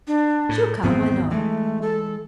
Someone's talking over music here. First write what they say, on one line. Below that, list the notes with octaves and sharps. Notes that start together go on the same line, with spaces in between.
She'll come, I know.
D4
A2
G#1 E2 B3 C4
E3 G#3 A3
A4